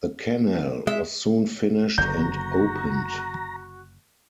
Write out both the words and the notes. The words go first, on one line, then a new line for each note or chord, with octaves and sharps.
The Canal was soon finished and opened.
G#3 E5
F#1 D3 F#4 A#5 G6